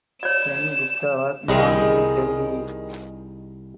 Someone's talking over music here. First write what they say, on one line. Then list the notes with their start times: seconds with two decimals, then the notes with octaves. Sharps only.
Sen Gupta was born in Delhi.
0.23 C#5 D5 E7
1.48 C2 D#3 G3 G#4 D#5